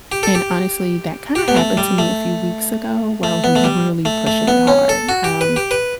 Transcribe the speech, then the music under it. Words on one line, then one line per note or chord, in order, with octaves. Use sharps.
and, honestly, that kinda happened to me a few weeks ago where I was r r really pushing it hard, um,
G4
A4
G4
G4
B3
A3
G3
A3
A3
B3
A3
G3
A3
A3
B3
C#4
A4
F#4
G4
B4
G4
B4